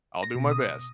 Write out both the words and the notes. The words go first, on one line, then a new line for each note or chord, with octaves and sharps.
I'll do my best.
A#6
B2
D#6